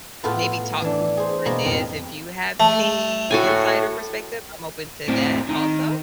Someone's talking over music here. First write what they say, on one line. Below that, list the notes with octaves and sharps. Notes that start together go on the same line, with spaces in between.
maybe talk through some ideas if you have any insight or perspective, I'm open to that also.
A2 A3 B3 F4 A4 B4
E3 D4
G#4 C5
B2 G#3 A#3
F2 A2
A3 A5
A2 F#4 A4 G#5
A2 C4
D#3